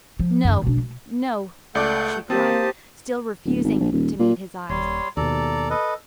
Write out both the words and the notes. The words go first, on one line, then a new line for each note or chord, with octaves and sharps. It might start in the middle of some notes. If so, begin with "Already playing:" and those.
"No, no," she cried, still refusing to meet his eyes.
F3
F#2 D#3
B2 D4
A3
C#2 A3 D5 F#5 D6 G6
A#3 C4 G4 C5 A5 D#6
D1
G#1
A#1
D#1
A#2
D#1 G3 C#5 C6
D#2 B2 A4 D5 A#5
A4 B4 D#5